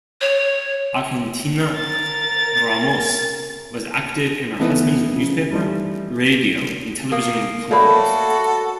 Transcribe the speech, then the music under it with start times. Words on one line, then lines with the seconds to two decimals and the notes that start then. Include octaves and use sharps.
Argentina Ramos was active in her husband's newspaper, radio and television companies.
0.21 C#5
1.76 A#4 A6
4.58 E3 A3 B3 D#4
5.13 C#3 F3
5.50 E3 G3 A3 D#4
7.12 A#3 D#6
7.71 A3 A#3 F#4 A4 C#5 D5 B5